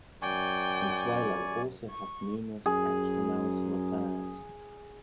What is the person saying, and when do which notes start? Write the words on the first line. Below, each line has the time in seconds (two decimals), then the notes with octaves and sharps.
Consuelo also had numerous extramarital affairs.
0.22 F#2 D5 G5 G#5 C#6
1.90 C#6
2.66 F#2 G#4